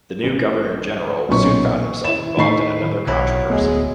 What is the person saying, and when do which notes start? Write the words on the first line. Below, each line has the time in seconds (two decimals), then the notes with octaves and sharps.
The new Governor-General soon found himself involved in another controversy.
0.24 A1
1.29 B1 A#2 C#4 C#6
2.04 E4 E7
2.37 A2 D#3 A4 B5 C#6 C7
3.07 B1 F#3 E4
3.50 D1 G#3 A3 B3